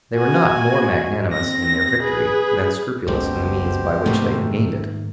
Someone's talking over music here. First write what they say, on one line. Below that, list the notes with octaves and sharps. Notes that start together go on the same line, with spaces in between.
They were not more magnanimous in their victory than scrupulous in the means by which they had gained it.
F#4 G#5
C4 A#6
G#4 B4
F#1 C#2 B2 G4 C5
G#2 C3 D#3 A3 A#3